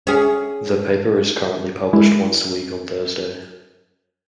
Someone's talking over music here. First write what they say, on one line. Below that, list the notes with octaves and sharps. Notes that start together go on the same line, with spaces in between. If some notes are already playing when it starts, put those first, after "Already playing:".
The paper is currently published once a week on Thursday.
C#4 G#4
G#3 E4